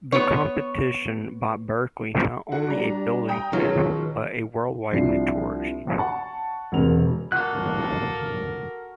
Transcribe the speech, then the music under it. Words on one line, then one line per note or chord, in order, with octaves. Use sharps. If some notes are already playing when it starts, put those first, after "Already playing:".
The competition brought Berkeley not only a building plan but worldwide notoriety.
B3 C#5
F#4 A4
G3 D4 A#5
G5 A#5 D#6
C#2 B2 D#3 F#3 F4
C2 F3 D4 E4 C7
F#5 A5 C#6
E1 C3 C4 A#4 F7
A#3 F#4 A4 A#4 F#6